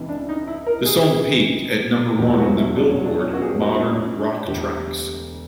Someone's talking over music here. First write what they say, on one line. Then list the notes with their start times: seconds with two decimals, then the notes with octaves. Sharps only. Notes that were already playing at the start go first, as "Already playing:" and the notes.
The song peaked at number one on the "Billboard" Modern Rock Tracks.
Already playing: C#2 C3 E3
0.09 D4
0.29 D#4
0.47 E4
0.67 A#4
0.85 G#4
2.18 F1 E2 B2 F#3 A3 G4
2.38 F#4
2.57 E4
2.76 D4
2.90 C#4
3.04 D4
3.19 C#4
3.33 F#4
3.42 G#4
3.48 G4
3.62 F#4
3.76 D4
3.91 C#4
4.19 D4
4.47 E1 D2 D3 G4